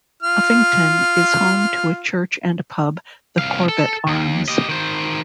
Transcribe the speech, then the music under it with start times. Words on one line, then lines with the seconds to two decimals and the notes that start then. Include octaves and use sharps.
Uffington is home to a church and a pub, the Corbet Arms.
0.23 F4 F6
3.38 C2 F5
3.69 A4
4.07 D#2
4.48 G4 D#5
4.69 D#3 C5